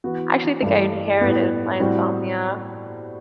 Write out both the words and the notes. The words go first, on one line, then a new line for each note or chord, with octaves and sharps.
I actually think I inherited my insomnia.
E3 B3 F#4
G2 E3 A3 E4
A2 G3 B3
A2 G3 C4 F#4 C5